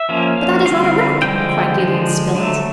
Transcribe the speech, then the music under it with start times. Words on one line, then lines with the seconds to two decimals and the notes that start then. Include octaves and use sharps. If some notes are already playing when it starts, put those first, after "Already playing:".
"But that is not a wreck!" cried Gideon Spilett.
Already playing: E5
0.09 F3 A#3 C#4
0.37 F5
0.65 D3 G3 C4 F5
1.22 D3 F3 G#3 G5
1.78 D3 F3 G#3
2.35 D3 F#3 A3